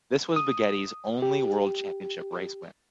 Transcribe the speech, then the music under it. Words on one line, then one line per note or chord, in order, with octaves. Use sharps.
This was Baghetti's only World Championship race win.
D#6
G4